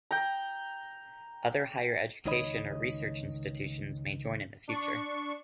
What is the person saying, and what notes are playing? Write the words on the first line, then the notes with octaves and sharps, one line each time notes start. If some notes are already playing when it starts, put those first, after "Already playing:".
Other higher education or research institutions may join in the future.
G5 A#5
C#2 D#3 D#4 C#5 D#5 B5
D4 C#6